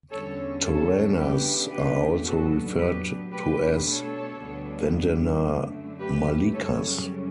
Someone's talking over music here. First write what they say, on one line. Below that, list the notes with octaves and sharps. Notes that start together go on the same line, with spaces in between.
Toranas are also referred to as vandanamalikas.
E2 D3 G3 C#4 A4 C#5
A4 C#5
C#3 E3 B3 D4 G4 B4
G4 B4
A2 F#3 B3 D4 F#4 A4
G4 B4
B2 A3 D4 G4 B4
A4 C#5
D2 D3 G3 B3 D4
F#2 D3 A3
G4 B4
F#2 C#3 G3 C#4 A4 C#5